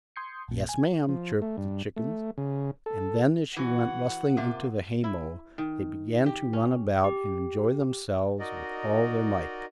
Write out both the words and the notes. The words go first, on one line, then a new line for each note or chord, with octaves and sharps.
'Yes, ma'am,' chirped the chickens; and then as she went rustling into the hay-mow, they began to run about and enjoy themselves with all their might.
C6 D#6 G6 G#6 C7 C#7
A#1 A#2
G#5 G#6
F3
A3
G2
A3
C#3
A4
E3 F#4 F#5
C3 A#3 F4
E4
D#3
G4
C#4
G4
D#4 F#4 A#4 D5 D#5